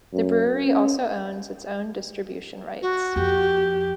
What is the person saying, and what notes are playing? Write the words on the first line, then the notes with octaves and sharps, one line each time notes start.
The brewery also owns its own distribution rights.
F#2
C#4
F#4
F2 G4